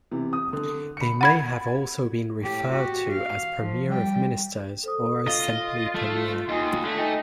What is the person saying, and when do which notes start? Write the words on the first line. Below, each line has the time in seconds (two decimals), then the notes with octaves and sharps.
They may have also been referred to as Premier of Ministers, or simply premier.
0.11 C3 E3
0.33 D#6
0.53 D3
0.97 B5 C#7
1.21 F#5 B5 G#6 A6
2.40 A2 G4
2.72 F#4 G4
3.09 F5
3.59 F3
3.88 G3 G5
4.83 A4 C5 D#6
5.28 F4 D#5
5.95 A3
6.49 D#2 D#5 G#5 D#6
6.85 D3 A3
6.98 D#4 G5 G#5